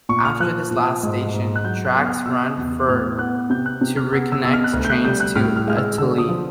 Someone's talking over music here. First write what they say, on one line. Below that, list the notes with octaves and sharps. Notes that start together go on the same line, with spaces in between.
After this last station, tracks run for to reconnect trains to "Auteuil".
A#2 C#6
F6
F3 F#6
A#2
G#2
G#2
F#6
F#3 G6
F#6
B3
F6
B2 E6
E2
A2 F6
B3 F#6
C3 G6
F#6
C3
F6
B3 E6
E6
B2 E6
F6
F#6
D2 F6
G6
F#6
G3 G6
F#6
A2 F6
F6
G#3 F6
E6
D3 E6
D#6
F3